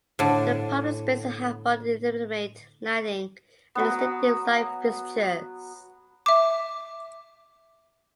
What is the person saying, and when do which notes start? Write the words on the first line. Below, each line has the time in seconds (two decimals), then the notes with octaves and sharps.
The public spaces have more intimate lighting and distinctive light fixtures.
0.19 A2 D3
3.75 F#3 B3
6.26 E5 D6